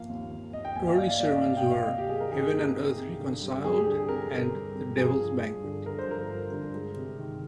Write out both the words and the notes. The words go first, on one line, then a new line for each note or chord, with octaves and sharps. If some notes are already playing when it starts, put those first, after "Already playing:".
Early sermons were "Heaven and Earth Reconciled", and "The Devil's Banquet".
Already playing: F3 A#3 F5
D#2
D#2
A#3 D#5
G5
D#2 G#5
F5
A#3 D5
F5
A#3 D5
F5
D#5
C3 F5
G5
A#3
F5
C3 D#5
G4
A#3 G#4
A#4
D#3 G#4
A#3
C3
C3
D3
G3
C4 G#4
G4
D3 G#4
C4 A#4
C4
G3
C4
F3 G#4
G2
G2
D3
D3 A#4
C5
F3 A#4
G2
D3
G#3
C3
D#3